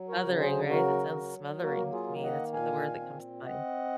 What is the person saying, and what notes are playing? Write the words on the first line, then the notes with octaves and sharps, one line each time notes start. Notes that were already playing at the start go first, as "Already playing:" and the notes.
Smothering, right? That sounds smothering to me, that's what the word that comes to mind.
Already playing: F#3
A#4 C#5
C#3
G#4 C5
F#3 F#4 A#4
F#3
A#3 F#4 A#4
F4 G#4
D#3
D#5 F#5
A#2 F5 G#5
C4
C4 D#5 F#5